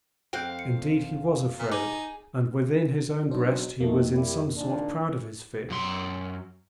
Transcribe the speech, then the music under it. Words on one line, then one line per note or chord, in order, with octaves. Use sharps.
Indeed he was afraid, and within his own breast he was in some sort proud of his fear.
F2 C4 F5 G5 F#6 G6
C#7
A#2
D#4 G#4 D6
B2 F#3 D4 D#4 C5
F2 D#3 A3 A#3
G3 E4 G4
A#2 D#3 D4
F#2 C6